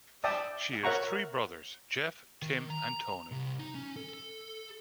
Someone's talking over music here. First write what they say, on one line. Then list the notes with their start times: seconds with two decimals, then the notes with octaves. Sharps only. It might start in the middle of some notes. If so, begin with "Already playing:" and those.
She has three brothers, Jeff, Tim and Tony.
0.24 D5 E5 G5 A5 D#6
0.83 A#4 C#5 E5 F#5 A#5 C#6
2.42 D#3
2.70 A#5
3.31 C2
3.59 D#4
3.75 C#4
3.96 A4